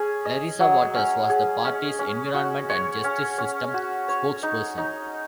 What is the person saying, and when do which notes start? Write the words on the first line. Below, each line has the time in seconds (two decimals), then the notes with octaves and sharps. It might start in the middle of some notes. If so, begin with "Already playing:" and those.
Larissa Waters was the party's environment and justice system spokesperson.
Already playing: C#4 G#4
0.25 D#5
0.60 F#3
0.95 C#4
1.30 G#4
1.65 C#4
1.99 C#4
2.34 F#4
2.69 C#5
3.04 C#4
3.38 C#4
3.74 F#4
4.08 C#5
4.43 D#4
4.78 D#4